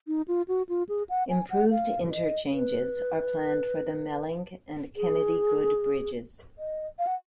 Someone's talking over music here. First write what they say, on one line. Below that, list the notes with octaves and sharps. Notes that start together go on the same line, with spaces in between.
Improved interchanges are planned for the Melling and Kennedy-Good bridges.
D#4
F4
F#4
F4
G#4
F#5
G#5
F#5
F5
D#5
B4
G#4
D#5
F5
F#5